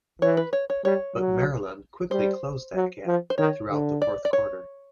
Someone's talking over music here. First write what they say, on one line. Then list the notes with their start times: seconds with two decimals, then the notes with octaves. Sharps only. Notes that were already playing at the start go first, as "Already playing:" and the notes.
But Maryland quickly closed that gap throughout the fourth quarter.
0.22 E3 C#5
0.37 B4
0.53 C#5
0.70 C#5
0.85 G3 C#5
1.16 F#3
2.11 G3 C5
2.76 F#3
3.07 F3
3.30 C5
3.38 D#3 C#5
3.71 D3
4.02 D5
4.25 D5
4.33 C#5